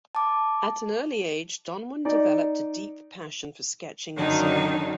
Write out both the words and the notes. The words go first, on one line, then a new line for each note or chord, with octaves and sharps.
At an early age, Donwan developed a deep passion for sketching and sewing.
A5 D6
D#4 D5
F#2 D3 D#3 F#3 D4 D#4